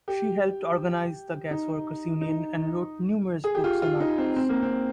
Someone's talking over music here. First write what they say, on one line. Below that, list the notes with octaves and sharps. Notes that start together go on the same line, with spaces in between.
She helped organise the Gasworkers' Union and wrote numerous books and articles.
G4
D#4
D#4
G#4
G4
F4
F4
D#4
C4
C4
A#3
C4